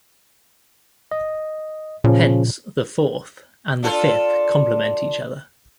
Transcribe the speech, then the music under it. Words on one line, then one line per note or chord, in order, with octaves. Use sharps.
Hence the "fourth" and the "fifth" complement each other.
D#5
A#2 C#3 F3 C#4
D4 F4 A4